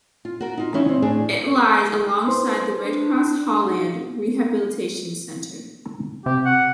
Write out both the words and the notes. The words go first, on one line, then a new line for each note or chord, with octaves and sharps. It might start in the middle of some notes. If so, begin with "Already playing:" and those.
It lies alongside the Red Cross Haugland Rehabilitation Centre.
F4
F#4 A#4
D#4 F4
D#3 E3 C#4 D#4 E4
C4
A2 D4 G#4
B4 C5 C6
D4
D#4 F#4
C3 G4
F#5